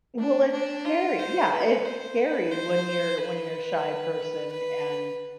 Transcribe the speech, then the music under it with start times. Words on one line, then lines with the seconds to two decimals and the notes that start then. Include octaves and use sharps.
Well, it's scary Yeah, it's scary when you're when you're a shy person and
0.19 D4
0.52 D4
0.85 F4
1.19 C5
1.52 B4
1.85 C5
2.19 B4
2.52 C5
3.18 B4
4.51 B4